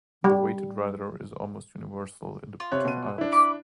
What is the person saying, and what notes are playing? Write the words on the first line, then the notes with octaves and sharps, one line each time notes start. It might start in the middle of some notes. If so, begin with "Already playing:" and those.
The weighted rudder is almost universal in the British Isles.
G3
F4
C3 C#5 F#6
B2 D#7
D4 E4
B5 D6